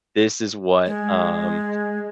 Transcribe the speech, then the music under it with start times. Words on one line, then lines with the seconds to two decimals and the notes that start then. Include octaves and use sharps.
"This is what" um,
0.86 G#3